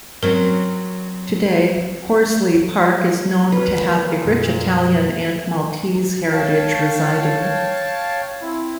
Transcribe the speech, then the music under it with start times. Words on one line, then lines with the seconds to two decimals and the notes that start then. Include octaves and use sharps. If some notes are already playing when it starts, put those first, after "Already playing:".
Today, Horsley Park is known to have a rich Italian and Maltese heritage residing.
0.23 F#3 C4 C#4 A#4
3.52 G#1 D2 A#2 B4 F6
4.25 F#2 B2
6.32 C#5 F5 G5 A5
8.42 C4 E4